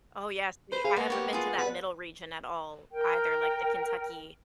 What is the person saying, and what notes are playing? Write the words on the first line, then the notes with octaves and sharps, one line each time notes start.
Oh, yes we I haven't been to that middle region at all either, like the Kentucky
B4 C5
G#4 F5
A#3 B3 D5
G4 C#5
F4 G#4
G3 B3 B4
A#4 G5